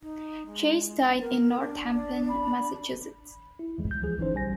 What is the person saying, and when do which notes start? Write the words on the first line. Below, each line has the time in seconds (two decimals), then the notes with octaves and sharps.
Chase died in Northampton, Massachusetts.
0.01 D#4
0.46 G#3
1.20 A#4
1.61 D4
1.95 D5
2.28 B5
3.59 E4
3.78 D#2 E3 G#3
3.90 C#2 G6
4.02 E3 F3 G#4
4.18 G1 E3 C#4 D#4 C5
4.34 B1 G3 G#5 A#6